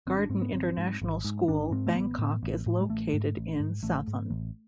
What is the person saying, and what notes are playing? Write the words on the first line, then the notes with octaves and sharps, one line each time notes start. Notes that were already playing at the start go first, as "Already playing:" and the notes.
Garden International School Bangkok is located in Sathon.
G#1 C4
D4
G#2 C4
B3
G#1 C4
G#2
G#1
G#2
G#1 D4
G#2 C4
A3
A1 B3
A2
A1
A2
G#3
A1 A3
G#2
A1
G#2
A1 A3
G#2
A1